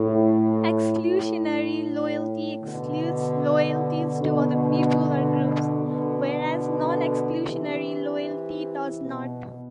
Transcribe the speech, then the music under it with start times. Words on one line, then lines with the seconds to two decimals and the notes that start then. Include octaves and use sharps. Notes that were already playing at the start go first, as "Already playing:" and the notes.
Exclusionary loyalty excludes loyalties to other people or groups; whereas non-exclusionary loyalty does not.
Already playing: A2
1.02 A2
2.62 B2 D3
4.23 B2 D3
5.83 B2 D3
7.43 C3 E3
9.04 B2